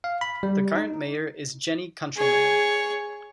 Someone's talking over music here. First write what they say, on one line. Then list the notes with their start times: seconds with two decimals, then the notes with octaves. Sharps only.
The current mayor is Jenny Countryman.
0.04 F5
0.21 B5
0.43 G3
0.75 D#4
2.17 G#4 C#5